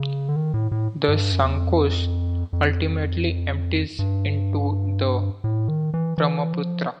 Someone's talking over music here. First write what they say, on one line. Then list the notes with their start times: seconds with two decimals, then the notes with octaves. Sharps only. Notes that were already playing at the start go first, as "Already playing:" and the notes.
The Sankosh ultimately empties into the Brahmaputra.
Already playing: C#3
0.29 D3
0.36 D#3
0.54 A2
0.72 A2
1.08 G2
1.32 F#2
1.44 E2
1.56 F2
2.53 F2
3.99 G2
5.44 A2
5.68 D#3
5.94 E3
6.18 E3
6.53 F3